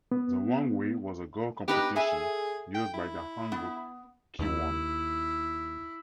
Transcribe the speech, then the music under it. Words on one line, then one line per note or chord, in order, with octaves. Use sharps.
The Wangwi was a Go competition used by the Hanguk Kiwon.
B3
B3 D#4 G4 B4
G#4 A4 E5 G#5
G5
E4
B3
D#2 E4